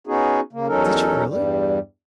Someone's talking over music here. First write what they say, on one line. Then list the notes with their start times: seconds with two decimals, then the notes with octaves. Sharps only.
Did you really?
0.07 B3 C#4 D#4 F#4 G#4
0.53 C#3 A#3
0.67 E2 F#3 C#4 D#4 A4 A#4
1.27 E2 G2 G3